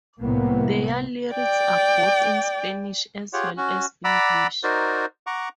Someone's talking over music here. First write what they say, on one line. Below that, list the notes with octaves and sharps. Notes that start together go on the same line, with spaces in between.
Their lyrics are both in Spanish as well as English.
C2 A2 C3 A#3 B3
D5 G5
F4 G4 G#4 C#5 F#5
C#4 F#4
D5 F#5 A#5 B5 D6 E6
D#4 F#4 A#4 C5 D5
F#5 A#5 C#6 D6